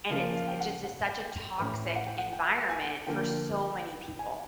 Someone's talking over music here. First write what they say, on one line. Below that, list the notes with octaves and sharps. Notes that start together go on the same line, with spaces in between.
And it's it just is such a toxic environment for so many people.
C#3 F3 A#3 F5
F5
G5
F#5
F#5
G5
A2 E3 A3 C#4 G5
F#5
G5
F#5
G5
G#5
D3 F3 A#3 G5
G5
G#5